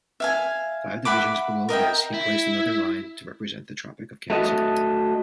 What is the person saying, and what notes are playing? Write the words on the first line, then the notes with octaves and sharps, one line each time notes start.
Five divisions below this he placed another line to represent the tropic of Cancer.
E5 F5 G#5
E5 F#5 B5 D6
A#4 D#5 E5 G5
E4
A3 F#4 D#5